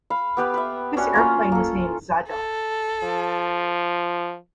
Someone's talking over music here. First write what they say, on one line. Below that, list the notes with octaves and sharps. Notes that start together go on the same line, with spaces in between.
This airplane was named "Zadar".
F5 B5
B3 G4 B4
B4 E5
C#4 D4 F#4
A#3 C#4 F4
A#3 A4
A4
F3